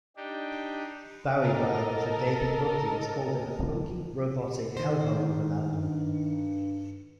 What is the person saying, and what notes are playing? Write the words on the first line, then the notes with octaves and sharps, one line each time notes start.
Bowie biographer David Buckley has called it "a funky, robotic Hellhole of an album".
D4 D#4 G4
A4 A#4 D#5
D#3 C5
G2